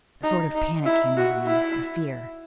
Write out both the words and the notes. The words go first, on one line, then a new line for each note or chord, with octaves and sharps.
A sort of panic came over me, a fear.
D#4
D#4
E4
F#4
E4